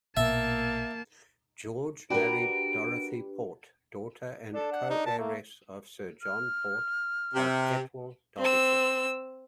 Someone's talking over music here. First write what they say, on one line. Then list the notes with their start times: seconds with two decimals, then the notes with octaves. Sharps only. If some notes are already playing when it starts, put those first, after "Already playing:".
George married Dorothy Port, daughter and co-heiress of Sir John Port of Etwall, Derbyshire.
0.17 A#1 B2 A#3 E5 A5
2.10 D4 F#4 G4 A#4 B4 D7
4.54 D4 A4
4.72 F#5
4.90 D#4
5.06 A#2 A5
5.18 A3 A#3
6.22 F6
7.34 C3
8.39 C4 E6